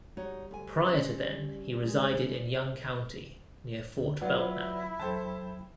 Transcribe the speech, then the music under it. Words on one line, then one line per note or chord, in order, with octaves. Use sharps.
Prior to then, he resided in Young County near Fort Belknap.
G3 D#4 F#4 C#5
D2 G#5
C4 C#4
G#3
D2 D3
F#3 E4 F4 B4 D5 F#5
E2 F#3 A4 C5 G5 A5